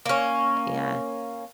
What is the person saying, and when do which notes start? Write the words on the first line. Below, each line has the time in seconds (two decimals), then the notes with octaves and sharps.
But, yeah.
0.06 A#3 C#4